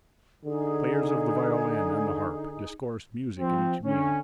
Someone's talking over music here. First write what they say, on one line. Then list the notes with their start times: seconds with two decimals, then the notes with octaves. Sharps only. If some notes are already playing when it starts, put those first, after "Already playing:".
Players of the violin and the harp discoursed music at each meal.
0.45 D3 D#4 G#4
3.40 F3 C4
3.85 D3 C#4